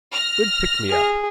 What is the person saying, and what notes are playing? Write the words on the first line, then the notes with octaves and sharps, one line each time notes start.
Good pick me up.
F6 A#6
G#4